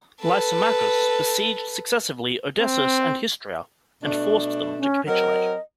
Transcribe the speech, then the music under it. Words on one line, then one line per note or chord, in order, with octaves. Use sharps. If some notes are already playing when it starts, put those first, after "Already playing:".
Lysimachus besieged successively Odessus and Histria and forced them to capitulate.
A4 B4
C4
B2 A3 D4
C#4
F#3 C4 A#4 D#5